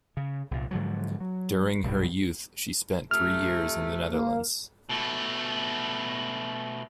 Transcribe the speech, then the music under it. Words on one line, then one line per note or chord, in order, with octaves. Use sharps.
During her youth she spent three years in the Netherlands.
C#3
C2 A#2
G#2 D3 F3 F#3
F#3
B1 G2 G3
C3 F3 A3 F6
A#3
B2 A3